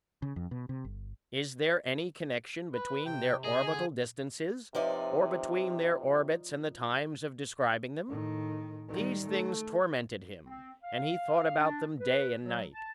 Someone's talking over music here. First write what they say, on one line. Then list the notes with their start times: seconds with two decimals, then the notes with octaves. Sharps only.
Is there any connection between their orbital distances, or between their orbits and the times of describing them? These things tormented him, and he thought about them day and night.
0.22 C#3
0.36 F2
0.51 B2
0.69 C3
0.85 G1
2.74 B4
3.06 C3 G5
3.44 G#4 D#5
3.66 D3 G#5
4.75 C3 F3 D#4 B4 C#5 D5 E5
8.08 A2 D#3
8.89 D#3 G3
9.28 A3
10.46 C4
10.82 F5
11.58 D4
11.99 B4
12.41 F#3
12.73 A5